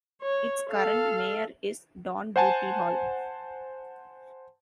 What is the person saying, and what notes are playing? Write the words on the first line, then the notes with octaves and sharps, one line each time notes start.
Its current mayor is Don "Booty" Hall.
C#5
A4 F5
C5 F#5 G#5 A5